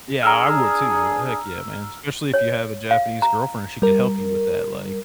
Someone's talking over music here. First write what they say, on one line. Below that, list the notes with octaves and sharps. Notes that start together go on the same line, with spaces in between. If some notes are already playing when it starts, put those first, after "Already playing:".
Yeah, I would too, heck yeah, man; especially if you have a Japanese girlfriend, she could help you with that, like,
D4 G#4 A#5 E6 F6
C#5
F5
A#5
G3 A#4